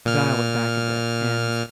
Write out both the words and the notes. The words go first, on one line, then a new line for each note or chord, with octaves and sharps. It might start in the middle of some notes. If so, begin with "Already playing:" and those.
dial it back a bit." And
A#2 F6